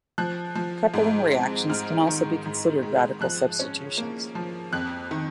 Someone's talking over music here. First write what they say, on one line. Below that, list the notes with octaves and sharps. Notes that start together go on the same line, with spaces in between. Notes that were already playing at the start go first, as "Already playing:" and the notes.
Coupling reactions can also be considered radical substitutions.
F3 F#6
F3
G#2
C4
G#2 F6
D#3
G#2
G#3
F3 F#6
C#4
A#3
F3
F2 F#6
D#3